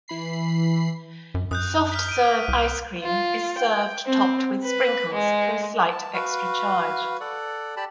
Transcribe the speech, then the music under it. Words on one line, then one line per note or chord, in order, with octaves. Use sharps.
Soft serve ice cream is served topped with sprinkles for a slight extra charge.
E3 B5 C7
F#2
F#2 D#6 F#6 G6
F6 B6
D7 D#7
C2
F4
G5
C4
B4
G#3
A5
F#4 B4 F5
A4 D5 F#5
G4 D5 A5 B5